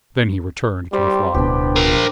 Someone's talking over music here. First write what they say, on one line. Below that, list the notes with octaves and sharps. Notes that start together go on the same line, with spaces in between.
Then he returned to the flier.
G3 G4 C5
D1 B2 B3 D4 G4
A#4 C5